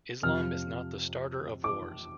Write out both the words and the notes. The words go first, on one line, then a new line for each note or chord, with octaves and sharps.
Islam is not the starter of wars.
F2 C3 F3 F6
D6